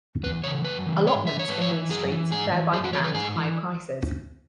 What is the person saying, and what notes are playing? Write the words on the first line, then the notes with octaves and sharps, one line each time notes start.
Allotments in these streets thereby command high prices.
E2 B4
C#3 E3 C#5
F#2 B4
C#3 E3
G#2 C#5
E3 E5
C#5
G#2 B4
C#5
E3
F#2 G#4
E3
G#2 G#4
E3
F#2 G#4
F#4
E3 C#5
B4
G#2 G#4
E3